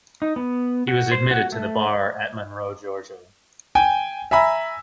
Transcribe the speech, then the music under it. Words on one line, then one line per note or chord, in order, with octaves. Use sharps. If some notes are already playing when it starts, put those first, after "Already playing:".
He was admitted to the Bar at Monroe, Georgia.
D#4
B3
F#4
C5
F#4
A3
G5 G#5
E5 G#5 A#5 B5 E6